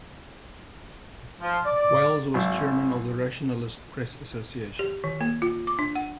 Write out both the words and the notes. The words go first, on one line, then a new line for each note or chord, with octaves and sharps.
Wells was Chairman of the Rationalist Press Association.
F3
D5
G#1 F#3 E4 C5
G4
D#3
A#3
F4
D6
D4
F#5